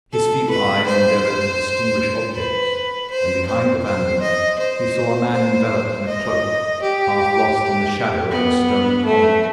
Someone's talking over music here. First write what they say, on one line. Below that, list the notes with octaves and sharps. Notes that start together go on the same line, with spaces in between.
His feeble eyes endeavored to distinguish objects, and behind the bandit he saw a man enveloped in a cloak, half lost in the shadow of a stone column.
A4
B4
C5
B4
C5
C5
C5
D#5
C5
C5
D#5
G4
B3
A3